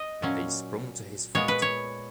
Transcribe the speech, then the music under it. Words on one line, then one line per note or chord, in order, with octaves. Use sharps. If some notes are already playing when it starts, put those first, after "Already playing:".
And they sprung to his feet.
Already playing: D#5
A#2 F#3 C#4
A#2 G#3 B3 C#5
B4
C#5